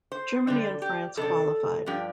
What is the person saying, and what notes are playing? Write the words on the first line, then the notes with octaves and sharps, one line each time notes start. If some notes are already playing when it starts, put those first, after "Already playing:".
Germany and France qualified.
C5
D3 G3 D4
G4
F2 C3 D4 A4
G2 F3 D4 G4